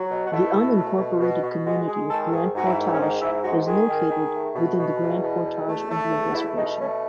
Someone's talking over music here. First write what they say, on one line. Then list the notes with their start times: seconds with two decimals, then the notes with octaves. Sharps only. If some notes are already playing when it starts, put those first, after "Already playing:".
The unincorporated community of Grand Portage is located within the Grand Portage Indian Reservation.
Already playing: F#3
0.09 B2
0.26 F#4
0.31 A3 E4
0.53 B2
0.76 A3
0.98 B2
1.20 B2
1.43 B2
1.65 G#3 F#4
1.87 G#3 G#4
2.09 D#3 A4
2.28 A4
2.32 G#2 G#4
2.55 G#2 F#4
2.65 E4
2.76 D#3
2.92 C#4
2.99 G#2 D#4
3.21 G#2 E4
3.44 G#3 F#4
3.66 D#3 G#4
3.88 D#3
4.11 D#3
4.34 A3
4.55 B2
4.78 B2
5.00 E2
5.22 B2
5.44 E2
5.68 A3
5.89 A3
6.12 E2
6.29 F#4
6.34 A3 E4
6.56 B2 D#4
6.79 A3 C#4